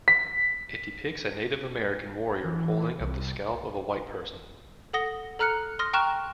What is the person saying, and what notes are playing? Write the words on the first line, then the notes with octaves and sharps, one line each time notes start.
It depicts a Native American warrior holding up the scalp of a white person.
B6
E3
C2
A4 F#5 D#6 A#6 G7
A4 A#5 F6 F#6 C#7
C6 D#6 F6 A#6
G5 A#5 C#6 F6 F#6 E7